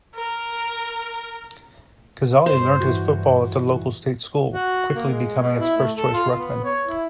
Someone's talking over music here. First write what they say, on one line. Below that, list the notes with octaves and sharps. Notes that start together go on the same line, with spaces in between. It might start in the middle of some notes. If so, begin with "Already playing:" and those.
Cazaly learnt his football at the local state school, quickly becoming its first-choice ruckman.
A#4
G2 C5
E3 F#4
F#4
A#3
G#3
B2
E4
A3
A4
F4
B3
C#5
E4